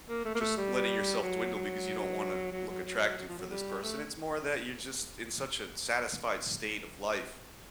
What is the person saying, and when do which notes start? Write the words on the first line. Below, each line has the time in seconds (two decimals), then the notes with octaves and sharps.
just letting yourself dwindle because you don't want to look attractive for this person. It's more that you're just in such a satisfied state of life
0.08 A#3
0.25 A3
0.35 A#3
0.40 A3
0.57 G3
1.22 F#3
1.54 F#3
2.52 F#3
2.69 F#3
2.85 F#3
3.18 F#3
3.28 F3
3.38 F#3
3.50 G3
3.83 A3